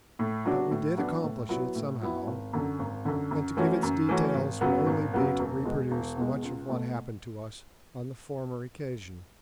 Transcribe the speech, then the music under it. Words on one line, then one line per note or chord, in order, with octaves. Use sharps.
But we did accomplish it somehow, and to give its details would only be to reproduce much of what happened to us on the former occasion.
A2
F#3 B3 D4 F#4
A2
F#3 B3 D4 F#4
A2
F#3 B3 E4
A2
F#3 B3 E4
G#1
F#2 D3
G#1
F#2 D3
F#2
E3 A3 C#4 F#4
F#2
E3 A3 C#4 F#4
G#1
F#2 C#3 F#3 B3
G#1
F#2 C#3 F#3 B3
E1
E2 B2 G#3
E1
E2 B2 G#3
C#2
B2 A3